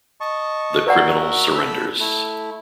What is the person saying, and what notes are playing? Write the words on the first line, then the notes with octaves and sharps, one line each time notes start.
The criminal surrenders.
D#5 A5 C#6
F#4 A#4 B4 D5 E5 F#5
A4 B5 E6
A3 E4